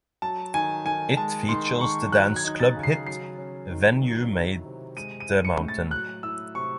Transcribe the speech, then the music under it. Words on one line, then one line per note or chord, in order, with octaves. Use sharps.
It features the dance club hit "When You Made The Mountain".
F#3 A5
D#3 G#5
D#3 G#5
G#3 A5
D#3 C6
D#3 C#6
F#3 F#6
G#6
D#4
A6
C#3
C7
F#3 C7
C#4
D#3
F#3
E4
C3
G#3 D#7
D#7
E4
C#7
A2
A6
F#3 F#6
E4 E6
C3 C#6